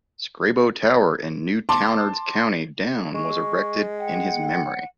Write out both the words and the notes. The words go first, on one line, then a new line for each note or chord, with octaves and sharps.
Scrabo Tower in Newtownards, County Down was erected in his memory.
A5 C6 D6
G#3 C#6
F#5 G5